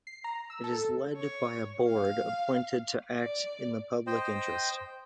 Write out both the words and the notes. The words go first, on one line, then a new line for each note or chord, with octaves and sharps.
It is led by a board appointed to act in the public interest.
C7
A#5
E6
A4
C#5
F5
D5
C5 D#5 G5